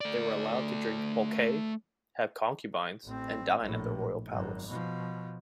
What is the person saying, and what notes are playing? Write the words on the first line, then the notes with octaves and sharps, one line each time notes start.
They were allowed to drink "pulque", have concubines, and dine at the royal palace.
A3 D5
A1 C4
A#1 A2
G#1 F#2
B2 F3